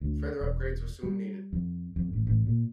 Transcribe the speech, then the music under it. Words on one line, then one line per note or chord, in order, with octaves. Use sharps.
Further upgrades were soon needed.
D2
E1
G3
F2
F2
A1
A1
A#2